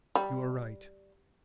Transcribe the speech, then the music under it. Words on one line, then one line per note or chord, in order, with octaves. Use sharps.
You are right.
G3